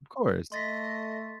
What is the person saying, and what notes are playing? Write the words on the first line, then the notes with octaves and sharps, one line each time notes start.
Of course.
A3 D#5 C6 A6 B6